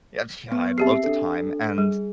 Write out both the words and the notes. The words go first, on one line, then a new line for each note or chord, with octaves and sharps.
yeah, I had loads of time. And
B3
C4 G4 G#4 E5 C7
D4 A4
G3 G#4